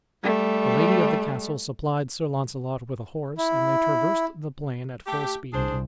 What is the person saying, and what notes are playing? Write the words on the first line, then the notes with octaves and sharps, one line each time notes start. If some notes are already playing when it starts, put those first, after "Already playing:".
The lady of the castle supplied Sir Launcelot with a horse and they traversed the plain at full speed.
G3 A3
E4
A3 G4
C2 D4 G#4 C5